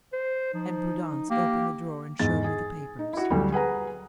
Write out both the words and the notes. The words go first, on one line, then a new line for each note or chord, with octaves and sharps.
And Prudence opened the drawer and showed me the papers.
C5
F3 D#4
A#3 G4
E2 G#2 A6
G#4
D#4
E4 F#4
D2 F#3 G3
G#4 B4 F#5 A#5